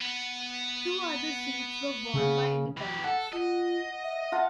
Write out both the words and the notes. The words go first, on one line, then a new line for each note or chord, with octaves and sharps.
Two other seats were won by independents.
B3
C#3
E3 G4
A4 F#5
F4 D#5
E5
F4 F#5 A5